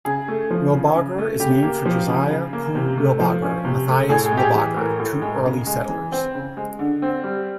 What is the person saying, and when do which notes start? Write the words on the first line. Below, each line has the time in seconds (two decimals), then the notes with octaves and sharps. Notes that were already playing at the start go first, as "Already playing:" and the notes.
Wilbarger is named for Josiah Pugh Wilbarger and Mathias Wilbarger, two early settlers.
0.05 C#3 G#4
0.28 A3
0.51 F3
0.73 C#3
0.95 C#3
1.18 A3
1.40 C#3 G4
1.63 A#3
1.86 F3
2.08 C#3
2.30 C#3
2.53 A#3
2.75 C3
2.97 A3
3.20 F3
3.42 C#4
3.65 C3
3.87 A3
4.09 A2 G#4
4.26 G#4
4.31 G#3
4.37 G4
4.43 G#4
4.54 E3
4.76 A2 A#4
5.00 A2
5.22 G#3
5.45 C#3
5.67 G#3
5.89 E3
6.12 C4
6.35 C#3
6.57 G#3
6.79 D3
7.02 C4
7.24 G3